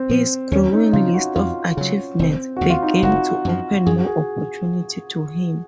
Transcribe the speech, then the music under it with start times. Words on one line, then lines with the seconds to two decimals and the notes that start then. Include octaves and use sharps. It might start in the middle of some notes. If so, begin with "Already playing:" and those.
His growing list of achievements began to open more opportunity to him.
Already playing: C4
0.10 A#2 F3
0.51 D#2 C#4
0.72 D#4
0.93 C#3 F3 C4 F4
1.14 F#4
1.35 F2 F4
1.77 C#3 F#3 C#4
2.19 F1 C4
2.57 D#2 C#3 F#4
2.70 F4
2.82 D#4
3.02 F#1 F#4
3.45 F#2 F3
3.86 F#2 G#4
3.98 F#4
4.07 G#4